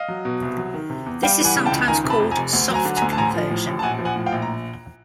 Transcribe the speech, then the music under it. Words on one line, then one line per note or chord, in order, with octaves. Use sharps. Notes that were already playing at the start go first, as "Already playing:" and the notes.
This is sometimes called "soft conversion".
Already playing: D#5 F5
F#3
B2
C2
F#3
D#3
C3
E2
G3 F5 G5
E3
F#5 G#5
C#3
G5 A5
C#2
D#3 G#5 A#5
C3
A5 B5
F2
G#5 A#5
F1
D2
F#3
G#5 A#5
D3
G#5 A#5
D2
A5
A1 G#5 A#5
F3
A2
A1
A5
A#1 F#5 G#5
F3
F#5 G#5
A2
F5 G5
A#1
A#5